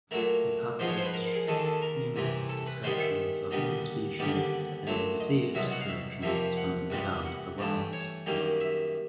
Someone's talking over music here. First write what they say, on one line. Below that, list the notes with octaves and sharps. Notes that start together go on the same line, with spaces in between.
He published numerous descriptions of new species and received collections from around the world.
A#2 F#3 A3 A#4
G#2 F3 G#3 B3 C5
C#5
C5
B4
A#4
G#4
D#2 D#3 G#3 A4
A4
A#4
C2 C3 E3
A4
B4
G#2 D#3 G3 B3 C5
E5
D#2 D3 G3 B3 D#5
D#2 D3 G3 B3 D5
D5
A#2 F#3 A3
D#5
C2 B2 F#3 E5
F#5
F5
E5
F2 C3 F3 A#3 E5
F#5
C2 A#2 G3 B3
F#5
G2 E3 A3
C#5
F#2 D#3 G3 A#3
E5